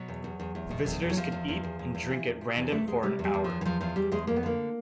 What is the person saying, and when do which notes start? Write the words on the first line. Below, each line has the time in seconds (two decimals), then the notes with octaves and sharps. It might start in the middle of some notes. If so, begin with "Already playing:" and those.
The visitors could eat and drink at random for an hour.
Already playing: B2 F#3
0.08 E2
0.24 E2
0.40 E2
0.55 E2
0.71 B2
0.86 E2
1.02 E2
1.10 F#3
1.17 E2 F3
1.32 E2
1.48 E2
1.63 E2
1.79 E2
1.95 E2
2.10 E3
2.26 E2
2.41 C3
2.57 E2 E3
2.72 E2 A3
2.88 E2 G#3
3.03 C3 G3
3.19 E2
3.24 G3
3.34 E2
3.44 F3
3.50 E2
3.61 E3
3.65 E2 F3
3.81 E2 F3
3.96 E2 G3
4.12 E2 G#3
4.27 F2 A#3
4.36 B3
4.43 D3 A#3